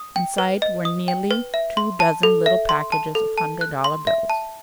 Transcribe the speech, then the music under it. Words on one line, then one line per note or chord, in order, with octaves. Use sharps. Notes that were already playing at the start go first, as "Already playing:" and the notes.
Inside were nearly two dozen little packages of hundred-dollar bills.
Already playing: D#6
G5
B4
D#5
D#6
G5
B4
E5
C6
A5
A4
E5
C6
A5
A4
A5
F#6
C6
E5
A5